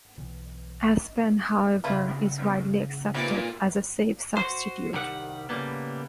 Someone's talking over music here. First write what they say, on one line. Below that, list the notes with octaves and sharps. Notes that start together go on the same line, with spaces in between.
Aspen however is widely accepted as a safe substitute.
B1 E3
C#3 G3 E4 F4
A#2 G3 C4 D#4 E4 B4 D6
F#4 C5
C2 D#3 G3 D5 F#5
A2 C#3 F#3 G3 A#3 B3